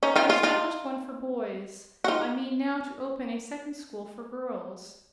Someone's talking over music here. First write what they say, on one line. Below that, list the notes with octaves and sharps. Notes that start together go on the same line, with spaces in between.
I established one for boys: I mean now to open a second school for girls.
C#4 D#4
D#4 F4
D#4 F4
D#4 F4
F#4
D#4 F4